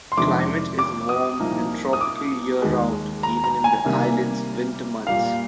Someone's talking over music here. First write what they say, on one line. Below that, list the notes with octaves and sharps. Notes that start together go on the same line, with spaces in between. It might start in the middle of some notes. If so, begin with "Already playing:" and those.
Climate is warm and tropical year-round, even in the islands' "winter" months.
C6
F2 C3 D#3 G#3 D4 D6
D6
D#6
C2 A#2 F3 A#3 D#4
D#6
D6
D#2 D#3 G#3
A#5
A#5
G#5
C3 D#3 G3 A#3
A#2 G3 A#3 F5